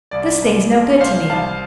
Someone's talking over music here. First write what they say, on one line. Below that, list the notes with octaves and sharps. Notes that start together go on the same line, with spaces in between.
This thing's no good to me.'
C2 D5
C2
F3
C2 C5 F5
C2 F5 A5